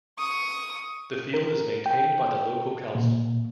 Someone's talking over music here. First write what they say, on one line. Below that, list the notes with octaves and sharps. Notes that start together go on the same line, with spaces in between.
The field is maintained by the local council.
C#6 D#6
A#4
G5
A#2